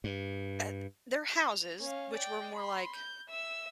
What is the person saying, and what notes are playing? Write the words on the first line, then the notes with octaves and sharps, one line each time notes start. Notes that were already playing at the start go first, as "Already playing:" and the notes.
uh their houses, which were more like
G2
F7
C#4 F5
D5 G5
B5 C6
G6
E5 E6